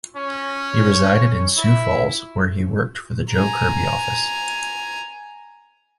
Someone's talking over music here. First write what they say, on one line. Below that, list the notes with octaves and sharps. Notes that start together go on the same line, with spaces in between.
He resided in Sioux Falls, where he worked for the Joe Kirby office.
C#4
E4
G#5 A#5